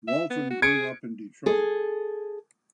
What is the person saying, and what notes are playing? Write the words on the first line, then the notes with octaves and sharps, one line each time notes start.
Walton grew up in Detroit.
E5
B3
F#4
G#4 G#6 C#7 D7
G#4 A4